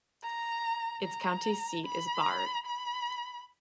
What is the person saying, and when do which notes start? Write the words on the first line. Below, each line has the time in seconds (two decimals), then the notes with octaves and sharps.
Its county seat is Baird.
0.23 A#5
1.04 A#5
1.84 B5
2.65 B5